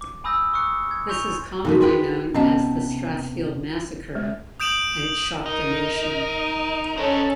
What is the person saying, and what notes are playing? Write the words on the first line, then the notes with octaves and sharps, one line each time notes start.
This is commonly known as the Strathfield Massacre and it shocked the nation.
D6
G#5 B5 D#6 E6 G6 A#6
C#6 D#6 E6 F#6 C#7
G#6
G#5 C6 C#6 G6 F7
C3 E3 A#3 D#4 F#4
G#4 A#4 B4 G5 C6
C3 B3 C#4 D#5 A5
G#3
D#6 G6 D7 E7 F#7
D#4 A#4
C#4 A4 C5 D#5